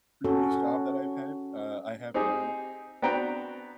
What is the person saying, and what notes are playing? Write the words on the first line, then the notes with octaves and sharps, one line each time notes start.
previous job that I've had, uh, I have learned
C#4 F#4 A4
C4 D#4 G4 G#4
B3 C4 D4 F#4 G5 A#5